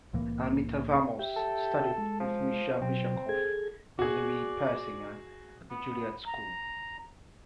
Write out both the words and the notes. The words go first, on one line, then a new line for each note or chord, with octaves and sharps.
Almita Vamos studied with Mischa Mischakoff and Louis Persinger at the Juilliard School.
C2 A2 E3 A#3
G4 E5 G5
A4
G#3
F3
B2 F#3 C4
G#4 A4 G#6
F#4 G#4 D5
B3
A#5